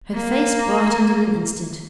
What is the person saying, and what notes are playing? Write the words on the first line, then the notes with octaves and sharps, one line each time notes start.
Her face brightened in an instant.
A#3